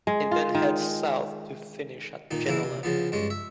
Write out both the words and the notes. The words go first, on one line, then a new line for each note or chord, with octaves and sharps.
It then heads south to finish at Jenolan.
G#3
F4
D#3
A#2 D#3 D#4
C#3 E3 A#3 E4
C3
C#3 F3 B3
G2 G#3 C#4
E5